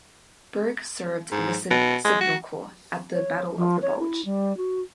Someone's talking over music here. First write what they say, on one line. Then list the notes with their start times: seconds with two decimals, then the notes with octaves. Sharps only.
Berg served in the Signal Corps at the Battle of the Bulge.
1.32 G#2
1.71 B2
2.05 G#3
2.21 F#4
3.13 C#5
3.56 F3
3.82 C#5
3.99 E4
4.25 G3
4.57 F#4